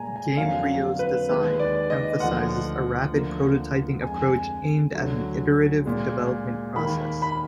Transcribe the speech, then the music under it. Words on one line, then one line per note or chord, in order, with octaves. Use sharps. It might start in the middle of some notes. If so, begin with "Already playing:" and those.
Gamebryo's design emphasises a rapid prototyping approach aimed at an iterative development process.
Already playing: A#2 G#3 G#5 A#5
G#5
F2 D3 F#3 A#3 F5
B4
D#2 D#3 G#3 B4
D5
D#5
D2 D3 F3 F#5
D2 D3 F3 A#3
F2 D3 G#3 G#5
D2 D3 F#3
A#2 G#3
D#2 D#3 A#3 B5
B5